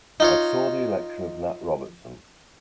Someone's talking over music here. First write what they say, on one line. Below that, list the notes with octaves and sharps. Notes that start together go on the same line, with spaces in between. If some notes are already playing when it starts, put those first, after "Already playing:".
It saw the election of Nat Robertson.
D#4 F4 C#5